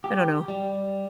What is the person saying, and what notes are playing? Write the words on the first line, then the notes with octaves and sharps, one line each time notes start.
I don't know.
G4
G3